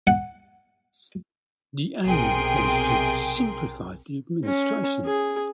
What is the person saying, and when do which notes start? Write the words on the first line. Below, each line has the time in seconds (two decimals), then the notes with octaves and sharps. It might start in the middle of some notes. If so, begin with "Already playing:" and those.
The aim was to simplify the administration.
0.07 F#5
2.06 B1 C3 G#4 A#4 G5 C6
4.45 C#4
5.05 G#4